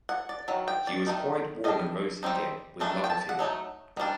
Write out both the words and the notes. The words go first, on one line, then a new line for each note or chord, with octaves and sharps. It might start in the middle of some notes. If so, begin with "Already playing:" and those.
She was quite warm and rosy again with love of him.
F#5
D5
D#3 F#3
G5
D5
D#3 A3 D#4
G3 D4 D#5
G3 C4 D#4
D#3 A3 D4
G5
A5
F#5
F#3 A3 D#4
D#3 G3 D4